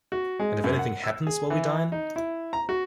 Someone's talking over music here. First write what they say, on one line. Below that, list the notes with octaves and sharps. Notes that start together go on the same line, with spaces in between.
And if anything happens while we dine?
F#4
G#3
F#2
F#5
E6
G#4
E3
D#4
E4
A#5
F#4